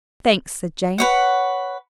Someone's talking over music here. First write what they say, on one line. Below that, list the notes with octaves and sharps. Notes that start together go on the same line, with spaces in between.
"Thanks," said Jane.
B4 C#5 F#5